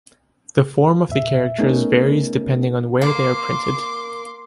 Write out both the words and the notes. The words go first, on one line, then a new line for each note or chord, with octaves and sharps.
The form of the characters varies depending on where they are printed.
E2 A#2 E5
A3 B3 C#4 D#4 G#4 A#4
A#3 C6 D6